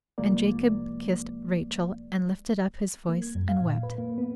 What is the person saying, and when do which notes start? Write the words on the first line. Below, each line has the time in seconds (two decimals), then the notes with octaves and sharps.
And Jacob kissed Rachel, and lifted up his voice and wept.
0.18 C2 F3 G#3 A#3 D5
3.09 A#3
3.22 G#6
3.35 F#2
3.48 F5
3.62 A#2
3.83 B4
3.98 A#3
4.18 B3